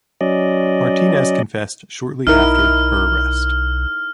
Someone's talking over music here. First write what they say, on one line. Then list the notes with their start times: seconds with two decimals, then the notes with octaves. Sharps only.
Martinez confessed shortly after her arrest.
0.21 F#3 C#4 D5 D#5
2.27 B1 D#4 E4 A#4 F6